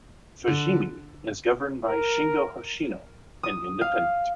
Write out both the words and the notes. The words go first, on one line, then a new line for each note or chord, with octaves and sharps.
Fujimi is governed by Shingo Hoshino, an independent.
D3
A#4
D#6
F5